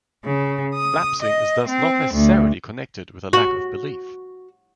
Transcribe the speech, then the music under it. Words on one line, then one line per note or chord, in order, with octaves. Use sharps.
Lapsing is thus not necessarily connected with a lack of belief.
C#3
D#6
D#5
C4
D2
F#4